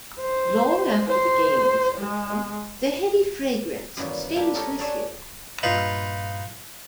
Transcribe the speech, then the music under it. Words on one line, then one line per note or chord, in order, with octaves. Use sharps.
Long after the game is over, the heady fragrance stays with you.
C5
C5
G#3
F#2 A#2 D#3 E3 G3 B3
G3 A#3 D4 E4 G4
D#4 G4 A4 A#4 C#5
D4 G#4 C#5 D5 E5 G#5
G2 A#2 D#4 F4 B4 B5